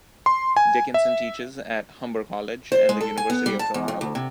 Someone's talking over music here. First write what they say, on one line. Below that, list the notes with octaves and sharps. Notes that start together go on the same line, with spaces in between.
Dickinson teaches at Humber College and the University of Toronto.
C6
G#5
E5
C5
G#3
A4
G#5
B3
G3
A5
E2
F2
D2
C3